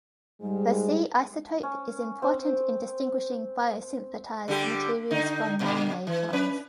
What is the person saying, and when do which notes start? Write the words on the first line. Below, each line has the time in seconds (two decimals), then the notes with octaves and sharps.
The C isotope is important in distinguishing biosynthetized materials from man-made ones.
0.41 G#2 G3 G#3
1.63 C#4
2.22 C4
4.48 D3 G3 G4
5.11 D3 D#4
5.60 A#2 D3
6.07 E3
6.33 C#4 B4